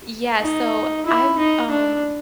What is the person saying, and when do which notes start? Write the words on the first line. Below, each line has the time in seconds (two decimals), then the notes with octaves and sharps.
Yeah, so I'm, um,
0.41 D#4
1.06 E4
1.39 D#4
1.70 D4